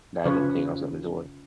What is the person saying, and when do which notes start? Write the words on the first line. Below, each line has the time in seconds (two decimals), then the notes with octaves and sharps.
That, I didn't think I was gonna enjoy.
0.25 C#3 F3 F4 B4 C#5